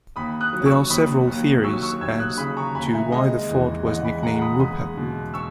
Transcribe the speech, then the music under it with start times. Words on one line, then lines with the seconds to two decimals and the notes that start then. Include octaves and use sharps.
There are several theories as to why the fort was nicknamed Whoop-Up.
0.16 D#2 B5 D#6
0.41 D#6 F#6
0.53 F#3
0.66 C#6 E6
0.90 D#2 B5 D#6
1.27 D#2
1.64 F#3 C#6 E6
1.83 C#6 E6
2.01 D#2 E6 G#6
2.19 D#6 F#6
2.37 C#3 B5 D#6
2.57 A#5 C#6
2.75 D#2 G#5 B5
2.87 A#5
2.93 E5 G#5
3.12 G#3 D#5
3.49 E2
3.86 E2 D#5 F#5
4.05 G#5 B5
4.23 G#3 F#5 A#5
4.41 B5 D#6
4.60 G#3 B5 D#6
4.97 B2
5.34 C#6 E6